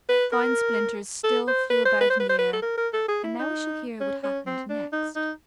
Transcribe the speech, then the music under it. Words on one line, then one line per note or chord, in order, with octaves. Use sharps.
The fine splinters still flew about in the air: and now we shall hear what happened next.
B4
A#4
A4
C5
B4
C5
B4
C5
B4
C5
B4
A4
A#4
A#4
A4
G#4
E4
D#4
C#4
C#4
C4
D4
D#4
D#4